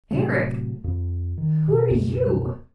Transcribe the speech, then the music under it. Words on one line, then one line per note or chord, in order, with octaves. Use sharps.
"Eric,--who are you?"
A2 C3 F#3 A3
F2
D#3
B2
C#2 F#2 B2